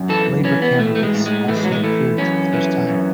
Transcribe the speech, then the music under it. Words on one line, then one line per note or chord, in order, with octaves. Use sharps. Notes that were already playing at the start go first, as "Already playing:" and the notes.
Labour candidates also appeared for the first time.
Already playing: F#2
E3 A4
E3 C#4
B3
A2 A3
A3
G#3
A2
G#3
E3 A3
G#3
F#3
G#3
E3 A3
F#2 C#4
E3
F#2